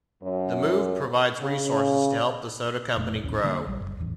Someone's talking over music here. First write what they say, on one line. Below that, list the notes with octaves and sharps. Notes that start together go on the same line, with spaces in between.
The move provides resources to help the soda company grow.
F#2
C#3
F1 A#2 A3
A1 D#2 C#4
D3 G3 A#3
A#1 G3
F#1
D#1 A1 E2